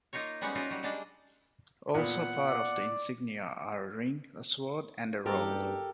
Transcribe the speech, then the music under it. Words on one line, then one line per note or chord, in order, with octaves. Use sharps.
Also part of the insignia are a ring, a sword and a robe.
A#3 D#4 F4 A#4 C#5
G3 G#3 A#3 B3 C#4 F#5
A#3 C#4 D#4 F4 F#4 A#4
F#3 G3
G3 G#3 A#3 D4 D5 D#5
A#2 B3 F#5
D5
F#1 G2 G4 A4 A#4